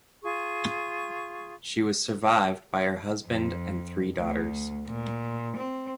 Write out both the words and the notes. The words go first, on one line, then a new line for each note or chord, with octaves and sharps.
She was survived by her husband and three daughters.
F4 G#4 C#6
F2
D2
A#2
C4